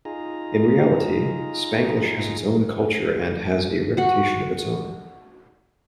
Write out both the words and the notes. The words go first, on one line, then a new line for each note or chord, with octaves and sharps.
In reality, Spanglish has its own culture and has a reputation of its own.
D#4 F4 G#4 A#5
F#4 F#5